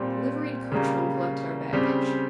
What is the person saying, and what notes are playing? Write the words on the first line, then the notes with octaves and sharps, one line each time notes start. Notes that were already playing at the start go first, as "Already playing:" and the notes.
Liveried coachmen collected our baggage.
Already playing: A#2 G3 C4
C#3 G3 A#3
C#3 G3 C4 G4